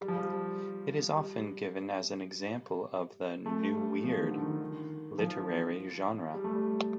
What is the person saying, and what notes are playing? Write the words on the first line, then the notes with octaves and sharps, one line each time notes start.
It is often given as an example of the New Weird literary genre.
G3
F3
G3
G3
A3
G3
F3
D#3
D3
D#3
F3
G3
A3
G3